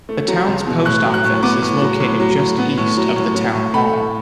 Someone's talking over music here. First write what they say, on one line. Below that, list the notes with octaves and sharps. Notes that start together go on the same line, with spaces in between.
The town's post office is located just east of the town hall.
A3
F#3
C#2
B2
A2 F#6
F#3
F#6
A2
B3 D6
A2
F#3
A2
F#3
A2
B3
A2
F#3
A2
F#3
A2
A3 B5
A2